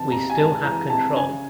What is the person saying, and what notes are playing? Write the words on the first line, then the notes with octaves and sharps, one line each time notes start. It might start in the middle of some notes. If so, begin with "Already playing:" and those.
We still have control.
Already playing: C3 E3 A5
C2 A#5
G#5
G#3 A5
E3 A#5
C3 A5
C#3 G#5